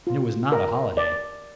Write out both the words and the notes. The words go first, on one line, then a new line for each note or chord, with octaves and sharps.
And it was not a holiday.
F4
A#4
D5